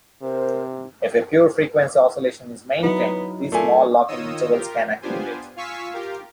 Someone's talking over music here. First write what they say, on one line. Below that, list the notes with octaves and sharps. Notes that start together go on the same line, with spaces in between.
If a pure frequency oscillation is maintained, these small lock-in intervals can accumulate.
C3 A#4 C5
F#3 B3 D#4 E4
A#2 A3 G#5
D#3 F4 C#5 D#5 D#6 E6
F4 G4 A#4
B3 D4 F4 G4 C5 G#5
F4 F5 G#5 C#6 E6 B6
F4 G4 A#4 F5